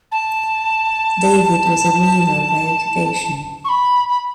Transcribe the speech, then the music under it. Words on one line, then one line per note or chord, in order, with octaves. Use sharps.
David was a weaver by occupation.
A5
C#6
B5
B5